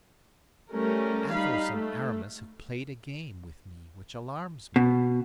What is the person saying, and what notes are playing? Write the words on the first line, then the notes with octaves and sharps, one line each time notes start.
Athos and Aramis have played a game with me which alarms me.
G3 A3 C#4 A#4
G3 D#4 F5 B5
A3
B2